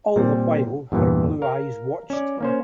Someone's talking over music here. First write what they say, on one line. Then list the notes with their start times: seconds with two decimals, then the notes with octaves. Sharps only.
All the while her blue eyes watched him.
0.16 A#2 G3 C4
0.92 E2 G2 A#2 E3
1.42 A#4 F5
2.10 C#4 D5
2.40 A#3 C#4 C5